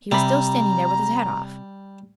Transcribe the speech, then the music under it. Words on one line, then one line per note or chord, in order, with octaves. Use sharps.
He was still standing there with his hat off.
C3 G3 A#5 B5